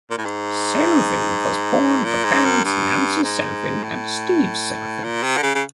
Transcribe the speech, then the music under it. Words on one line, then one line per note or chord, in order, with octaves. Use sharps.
Selvin was born to parents Nancy Selvin and Steve Selvin.
A#2
A2
G#2
A#2
G#2
F#2
G2
G#2
A2
A#2
C3
D3
C#3
C#3